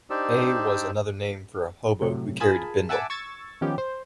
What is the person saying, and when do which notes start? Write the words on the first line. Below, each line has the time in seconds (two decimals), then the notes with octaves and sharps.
A was another name for a hobo who carried a bindle.
0.10 D4 D#4 G4 C5 D5 E6
2.01 A2 C3 F#3
2.40 F4 G#4 A#4 G#5 A5 B5
2.89 E5 F#5 G#5 A5 D6 E6
3.10 C#6 E6 G#6 A6
3.61 D#3 F3 B3 C#4 G4
3.78 C5